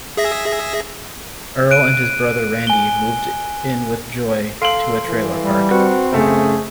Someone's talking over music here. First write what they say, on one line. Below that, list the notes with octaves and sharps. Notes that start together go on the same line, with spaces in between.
Earl and his brother Randy moved in with Joy to a trailer park.
G#4 E5 A#6
F#6 D7 D#7
G#5 G7
A4 F5 C6 C7 D7 F#7
E3
G3
C4 F#4 B4 F#5
F#2 C#3 A3 G#4 C5